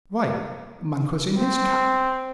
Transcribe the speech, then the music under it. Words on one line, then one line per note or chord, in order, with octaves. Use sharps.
"Why, Monk was in his camp."
C4